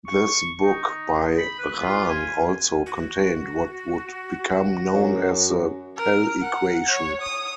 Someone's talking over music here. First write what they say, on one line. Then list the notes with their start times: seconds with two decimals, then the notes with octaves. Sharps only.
This book by Rahn also contained what would become known as the "Pell equation".
0.07 C#6
0.64 D#4
1.38 B5
1.59 B4
1.81 F4
2.09 G#5
2.86 F#4
4.93 F#2
5.97 A#4
6.42 F#5
6.88 C#5
7.21 D#6